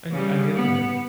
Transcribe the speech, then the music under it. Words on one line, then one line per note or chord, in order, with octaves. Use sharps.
I I get that.
C#3 G3
B3